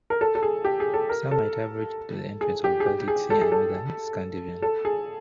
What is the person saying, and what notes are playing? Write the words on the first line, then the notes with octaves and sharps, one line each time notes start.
Some might have reached to entrance of Baltic Sea and northern Scandinavian.
A#4
A4
A4
G#4
G4
G#4
A4
A#4
A4
G#4
G4
G#4
G4
G#4
A4
G#4
A4
A4
G#4